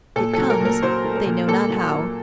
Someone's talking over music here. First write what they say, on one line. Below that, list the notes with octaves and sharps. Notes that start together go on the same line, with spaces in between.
It comes, they know not how.
A#2 A4
F#3 A4
A#4
A#2
A#4
F#3 C5
A3
A#4
A#2
A#3 A4
F#3
A#3